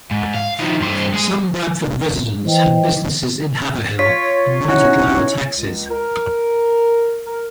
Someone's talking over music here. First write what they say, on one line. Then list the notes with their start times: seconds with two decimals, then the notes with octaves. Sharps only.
Some Bradford residents had businesses in Haverhill and wanted lower taxes.
0.11 G#2
0.34 F5
0.60 D#3 F3
0.80 G2 C5
1.14 G#3 G#4
2.45 E3 C5 D#5 G5
3.99 F4 C#5 B6
4.68 C#4 D#4 E4 F#4
5.55 C#2
5.89 A#4
7.27 A#4